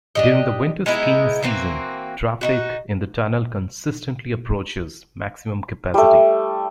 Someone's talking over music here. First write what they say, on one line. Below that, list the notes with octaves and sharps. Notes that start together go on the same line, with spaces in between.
During the winter skiing season, traffic in the tunnel consistently approaches maximum capacity.
D4 G4 D#5
G#3 B3 D#4 E4
E3 A#3 C4 F#4
D#4 E4 F#4
G3 A3